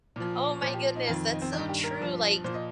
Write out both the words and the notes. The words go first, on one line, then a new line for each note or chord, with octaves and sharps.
Oh my goodness, that's so true, like,
A#2 F3
A#2 F3 C5
G4
D#4
F2 D#3 F4
D#4
C4
G2 D#3 D#4
G4
A#4
G2 F3
A#2 F3 C5
D#5